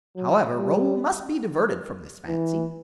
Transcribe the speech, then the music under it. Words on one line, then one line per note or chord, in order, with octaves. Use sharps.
However, Raoul must be diverted from this fancy.
F#3
G3
E3